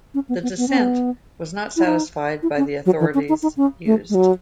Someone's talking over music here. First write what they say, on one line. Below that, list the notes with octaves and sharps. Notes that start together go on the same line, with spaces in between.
The dissent was not satisfied by the authorities used.
C#4
B3
B3
B3
C#4
B3
E4
D#4
E4
C#4
F#3
E3
C#4
D#4
D#4
C#4
A3
G#3
F#3